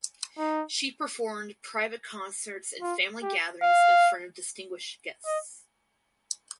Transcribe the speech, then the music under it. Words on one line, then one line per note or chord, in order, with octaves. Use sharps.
She performed private concerts in family gatherings in front of distinguished guests.
D#4
F4
G4
F5
D#5